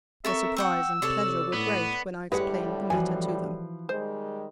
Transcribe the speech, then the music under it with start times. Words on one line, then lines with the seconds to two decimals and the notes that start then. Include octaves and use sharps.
Their surprise and pleasure were great when I explained the matter to them.
0.25 C4 A4 A#4 E5 C#6
0.57 F#5 G5 C#6 E6
1.02 C3 A4 C#5 D5
1.54 A2 B3
2.32 A2 D3 G3 G#3 G4 B4 C#5 F#5
2.90 E3 F3 F#4 G#5
3.89 D#3 G3 G#3 C5